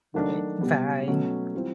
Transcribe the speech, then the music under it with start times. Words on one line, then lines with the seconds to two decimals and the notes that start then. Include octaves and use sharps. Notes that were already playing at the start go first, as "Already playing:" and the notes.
Right, bye.
0.14 D#3 F#3 A3 D4 F#4
0.61 B2 G3 B3
1.08 B2 F#3 A3 C#4
1.54 E3 G3 C4 F4